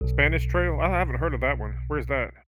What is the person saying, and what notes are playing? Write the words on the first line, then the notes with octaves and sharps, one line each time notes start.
Spanish Trail? I haven't heard of that one. Where is that?
B1 B2